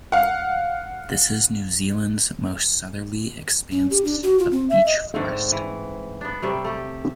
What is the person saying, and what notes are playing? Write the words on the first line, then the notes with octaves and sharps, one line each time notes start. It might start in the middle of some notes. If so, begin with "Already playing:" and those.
This is New Zealand's most southerly expanse of beech forest.
F5 F#5
C#4
G4
D4
F#4
F4
C4
E5
D#5
G#2 D3 A3 C4
E3
B3 D4
C3 G3 A3
A3 G4